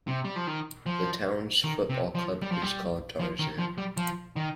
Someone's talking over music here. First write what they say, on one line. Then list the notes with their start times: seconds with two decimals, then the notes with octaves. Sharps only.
The towns football club is called 'Tarzan'.
0.07 C3
0.24 G3
0.36 F3
0.47 D#3
0.86 F3
1.64 D#3
1.90 C3
2.15 F3
2.42 G3
2.52 F3
2.62 G3
3.20 F3
3.39 D#3
3.58 F3
3.78 G3
3.97 F3
4.36 D#3